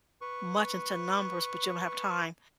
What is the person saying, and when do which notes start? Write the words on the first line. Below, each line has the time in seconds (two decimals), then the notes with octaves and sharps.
much into numbers but you don't have time
0.21 B4 C#6